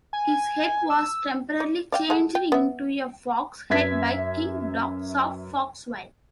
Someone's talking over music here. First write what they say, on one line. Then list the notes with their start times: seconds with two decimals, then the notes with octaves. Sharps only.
His head was temporarily changed into a fox's head by King Dox of Foxville.
0.13 G#5
0.90 E6
1.60 D5
1.92 D5 F5 G5
2.10 G#3 A3 F#5
2.35 G5
2.52 B3 E5
3.70 F#2 B4 E5 G#6 B6